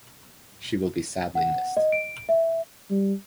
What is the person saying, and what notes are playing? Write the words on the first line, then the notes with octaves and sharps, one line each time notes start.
She will be sadly missed.
F#5
D#5
D7
E5
G3